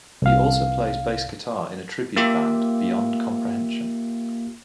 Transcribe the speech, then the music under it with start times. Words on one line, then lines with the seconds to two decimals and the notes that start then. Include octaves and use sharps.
He also plays bass guitar in a tribute band, Beyond Comprehension.
0.22 C2 F5
2.16 A#3 F4 G4 E5